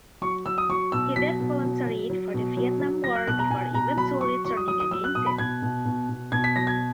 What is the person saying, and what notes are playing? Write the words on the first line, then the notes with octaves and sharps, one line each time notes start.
He then volunteered for the Vietnam War before eventually turning against it.
F#3 C#6
F#3 E6
D#6
F#3 C#6
B2 E6
F#3 B6
B2
F#3
F#3
F#3
B2
F#3
F#3
F#3 A#6
F#6
B2 F#6
A#5
B2 G#5
B2 A#5
F#3 B5
F#3 C#6
F#3 C#6
D#6
F#3 D#6
D#6
F#3 E6
F#6
B2 D#6
B5
B2 G#6
B2
B2
B2
B2 G#6
B6
F#3 A#6
G#6